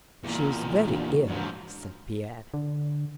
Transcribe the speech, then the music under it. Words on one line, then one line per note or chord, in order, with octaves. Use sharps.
"She is very ill," said Pierre.
E2 A#2
E3 D4 F#4
G#2 F3
D3